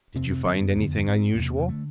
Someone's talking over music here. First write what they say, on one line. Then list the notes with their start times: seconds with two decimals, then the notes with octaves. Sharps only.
"Did you find anything unusual?"
0.15 F2 C3 C4
0.31 C4
0.46 F#2 D3 C4
0.61 B3
0.76 F2 D3
1.08 G#2 C4
1.34 B3
1.38 E2 C3 A#3
1.69 D3 A3